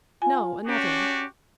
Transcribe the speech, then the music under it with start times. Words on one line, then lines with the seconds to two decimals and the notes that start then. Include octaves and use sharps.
"No, another."
0.22 F4 G#5
0.66 C#4 D4 F#4 G4